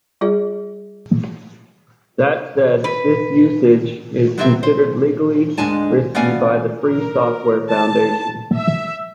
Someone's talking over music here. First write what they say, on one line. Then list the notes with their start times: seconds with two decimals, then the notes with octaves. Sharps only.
That said, this usage is considered legally risky by the Free Software Foundation.
0.21 G3 F4 G#4 D5
2.84 B4
4.38 F#3 B3 C4 G4 C#5 E5
4.63 C5
5.58 D2 G#2 G#3 D4 G#5 A5
6.15 A3 B3 C#4 D5 F5 G#5
6.82 A#4
7.70 A5
8.56 E5